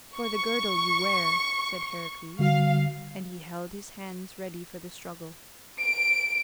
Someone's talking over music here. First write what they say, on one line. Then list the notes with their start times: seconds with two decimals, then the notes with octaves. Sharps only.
"For the girdle you wear," said Heracles, and he held his hands ready for the struggle.
0.17 C#6
2.39 D3 G3 F#4 F5
5.81 D7